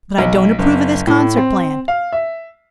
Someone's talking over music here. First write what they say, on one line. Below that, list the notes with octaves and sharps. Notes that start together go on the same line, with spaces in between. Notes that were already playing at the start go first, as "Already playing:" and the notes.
But I don't approve of this concert plan.
B1
F#1
A2
C4
F5
E5